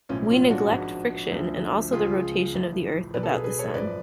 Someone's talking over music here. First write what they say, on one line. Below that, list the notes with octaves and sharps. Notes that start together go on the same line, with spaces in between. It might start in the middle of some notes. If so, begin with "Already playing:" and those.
We neglect friction and also the rotation of the Earth about the Sun.
B1 A2 F3 C#4 F4
C#4 F4
D4 F#4
G#1 G#2 F3
D2 D3 F3
C#2 C#3 F3 F4 G#4
A1 A2 F3
B1 B2 B4 D5
A4
G#4 B4
G#4 B4
A4 C#5
G#1 F#2 F3 B4 D5